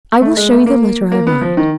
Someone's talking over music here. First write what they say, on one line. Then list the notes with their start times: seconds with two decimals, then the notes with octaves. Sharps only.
"I will show you the letter I write."
0.22 A3
0.37 G#3
0.52 A3
0.66 A#3
1.12 A#3
1.27 B3
1.41 F3
1.57 D#3